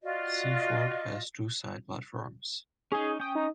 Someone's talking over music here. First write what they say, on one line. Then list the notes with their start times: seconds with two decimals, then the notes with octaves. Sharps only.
Seaford has two side platforms.
0.02 F4 F#4 D5 D#5
2.92 C#4 D#4 G#4
3.20 C#4 G5 D#6
3.35 D#4